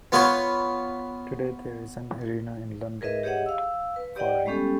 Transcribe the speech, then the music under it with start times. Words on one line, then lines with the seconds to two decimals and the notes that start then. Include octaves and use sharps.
Today there is an arena in London named for him.
0.12 B3 F4 B4 C#5
3.01 G#4 A#4 B4 D#5 E5
3.23 G4 G#4 C#5 D#5 E5 F#5
3.46 F5 E6
3.96 B4
4.16 G4 D5 D#5 F#5 G5
4.46 G3 G#3 B3 C#4 G4 A4